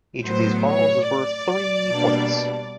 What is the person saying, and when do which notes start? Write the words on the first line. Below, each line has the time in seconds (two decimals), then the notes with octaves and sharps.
Each of these balls is worth three points.
0.24 A2 F#3 B3 C5
0.66 C#5
1.07 D5
1.89 B2 G3 A#3 D4